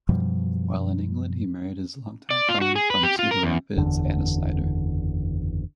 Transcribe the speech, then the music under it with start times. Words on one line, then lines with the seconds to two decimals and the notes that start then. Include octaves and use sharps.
While in England he married his long-time friend from Cedar Rapids, Anna Snyder.
0.09 F#2 B2 F3 G3
2.30 D5
2.49 F4
2.61 F#4
2.76 G#4
2.90 B4
3.03 G4
3.19 F4
3.31 A#4
3.43 E2
3.76 F#1 E2 D3